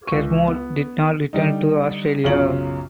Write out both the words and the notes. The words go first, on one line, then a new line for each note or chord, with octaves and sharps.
Kermode did not return to Australia.
C#2 C#6
B3
D3 G3 D#4
B1 F#2 C#3 C#4 F4 F#7